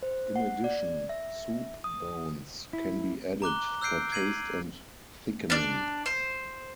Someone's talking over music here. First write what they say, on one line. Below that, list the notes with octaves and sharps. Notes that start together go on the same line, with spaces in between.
In addition, soup bones can be added for taste and thickening.
C5
F#5
D5
E5
D#6
E4
A#5 D6 F#6 G7
E6 F#6 G6 C7 D7
G#6 C7 D#7 F#7
D4 D5
C5